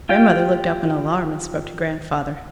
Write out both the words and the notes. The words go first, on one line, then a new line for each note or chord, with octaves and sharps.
Grandmother looked up in alarm and spoke to grandfather.
F4 G4 G5